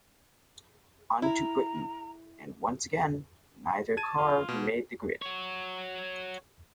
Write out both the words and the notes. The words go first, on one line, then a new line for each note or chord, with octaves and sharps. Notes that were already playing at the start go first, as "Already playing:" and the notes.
On to Britain and once again neither car made the grid.
E4 A#5
A5 G#6 D#7
F4
B2
F#4 C#5